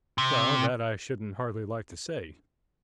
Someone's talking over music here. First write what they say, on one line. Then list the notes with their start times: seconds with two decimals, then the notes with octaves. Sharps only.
'Well, that I shouldn't hardly like to say.
0.18 C3